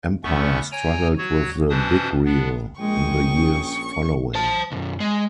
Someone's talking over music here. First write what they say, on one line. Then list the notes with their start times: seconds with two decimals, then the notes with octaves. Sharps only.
Empire struggled with the "Big Reel" in the years following.
0.24 E2 A3 B3 C#4 C#6
0.72 C#5 G5 G#5 A#5
1.18 F#3 F#4 C#5
1.70 B2 E3 C#4 D4 C5 D#6
2.25 B3 D4
2.79 A#1 G#3 G5 C#6 D#6
3.30 C#4
4.35 C5 A5
4.72 B1 F#2
5.00 G#3